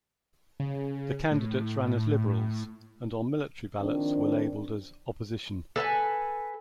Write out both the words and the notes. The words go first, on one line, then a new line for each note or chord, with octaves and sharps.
The candidates ran as Liberals, and on military ballots, were labelled as Opposition.
C#3
A2
D#3 F3 C4 D4
A4 B4 F5 G#5